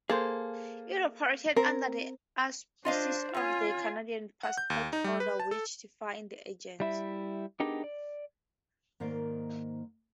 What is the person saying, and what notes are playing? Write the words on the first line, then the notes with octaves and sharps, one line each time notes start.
It operated under the auspices of the "Canadian Passport Order" which defined the agency.
A#3 G#4 A4 C5
C4 A#4
D4 F4 C5 D#5 F5
C4 C#4 F4 G#5
F#5
G6
D#2
D#4
G3
B4
A5
A4
G3 E4 E5
B3 D4 D#4 G4 G#4 A#4
D5
G#2 D#3 A#3 C5 D5